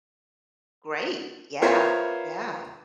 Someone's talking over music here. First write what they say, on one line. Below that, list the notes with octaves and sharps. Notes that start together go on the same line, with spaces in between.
Great. Yeah. Yeah.
B3 F4 A#4 C5 C#5 E5